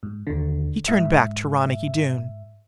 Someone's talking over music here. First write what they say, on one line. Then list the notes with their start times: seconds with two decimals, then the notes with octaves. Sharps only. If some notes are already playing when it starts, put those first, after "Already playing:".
He turned back to Ronicky Doone.
0.03 G#2
0.27 D#2 D3
0.88 G#2 E5